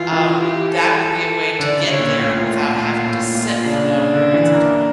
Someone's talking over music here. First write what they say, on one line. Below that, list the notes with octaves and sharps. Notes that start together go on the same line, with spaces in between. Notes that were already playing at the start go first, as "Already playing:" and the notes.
um, that would be a way to get there without having to sit for long periods of time.
Already playing: E3 F4
E3
G4
A4
A4
D3 D5
C#3
C#5
A#2
A2 F4
A#2
A2
A#2
A2
A#2 F4
C#3 D4
C#3
D3
E3
A#3